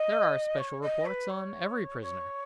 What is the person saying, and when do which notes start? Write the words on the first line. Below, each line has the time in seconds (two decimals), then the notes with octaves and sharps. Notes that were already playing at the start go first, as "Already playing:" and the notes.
"There are special reports on every prisoner."
Already playing: D#5
0.58 C#5
0.81 D#5
1.05 B4
1.29 C#5
2.01 C#5